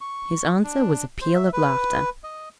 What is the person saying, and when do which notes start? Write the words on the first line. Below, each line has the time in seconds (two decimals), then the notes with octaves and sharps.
His answer was a peal of laughter.
0.01 C#6
0.64 D4
1.21 C5
1.34 E5
1.53 B4
2.24 D#5